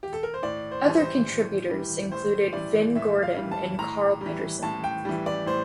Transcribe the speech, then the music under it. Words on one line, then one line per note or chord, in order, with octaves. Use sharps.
Other contributors included Vin Gordon, and Karl Pitterson.
G4
A4
A#4
C5
A2 D5
C5
E3 G3
C5
A2
E3 G3
A2 C5
E3 G3 D5
A2 E5
F5
E3 G3
A5
A2 A#5
E3 G3
A2 A5
G5
E3 G3
D5
A2 C5